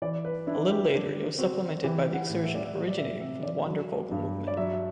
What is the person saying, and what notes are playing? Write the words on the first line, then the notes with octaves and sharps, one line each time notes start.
A little later it was supplemented by the excursion originating from the Wandervogel movement.
E3 D5
B4
D4 E4
G4
D3
C4 F#4
E3 G4
F#5
A2
E5
D5
E5
G3
D5
E5
C3 E5
D5
F#3
G2
D5
F#3 E5
E5